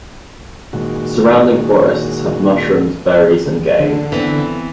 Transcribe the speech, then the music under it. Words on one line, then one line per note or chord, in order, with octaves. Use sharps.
Surrounding forests have mushrooms, berries and game.
A#2 D#3 G#3 F#4
D3
E3 B3 C4